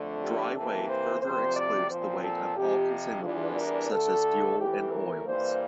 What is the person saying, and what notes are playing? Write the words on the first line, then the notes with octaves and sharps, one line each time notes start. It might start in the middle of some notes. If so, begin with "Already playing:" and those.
Dry weight further excludes the weight of all consumables, such as fuel and oils.
Already playing: F2 D3 A3 D4
G4
C3 E3 A#3 A4
C5
D2 C3 F3 C4 C5
D5
A#2 F3 C4 C5
A4
F2 C3 F3 G4
E2 E3 G3 D4 F4
A#4
D2 D3 A3 A4
E2 E3 A3 G4
A#4
G2 E3 G3 A#3 C5